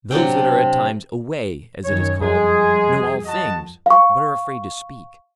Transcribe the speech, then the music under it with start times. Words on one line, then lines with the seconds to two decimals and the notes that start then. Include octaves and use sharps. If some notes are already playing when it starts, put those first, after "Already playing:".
Those that are at times 'away,' as it is called, know all things, but are afraid to speak.
0.11 C3 F#3 D4 G5
1.84 F#2 D#3 C#5
2.21 F2 G3 G#3 G#4
3.25 F#4 D#5 A5
3.86 F5 C#6